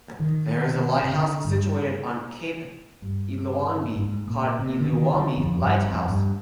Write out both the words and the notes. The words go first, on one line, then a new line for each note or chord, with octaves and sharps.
There is a lighthouse situated on Cape Eluanbi, called Eluanbi Lighthouse.
D#3
C3
D3
G2
G2
G#2
A#2
C3
D3
D#3
D3
F2
G2
F2
G2